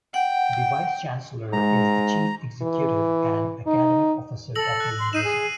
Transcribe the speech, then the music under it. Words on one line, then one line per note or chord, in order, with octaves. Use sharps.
The Vice Chancellor is the Chief Executive and Academic Officer of the University.
F#5 G5
G#2 G#3 A#5
E3
D#4
A4 E6 A#6 F#7
F#6
C6
D#4 C7 D#7 E7
G#4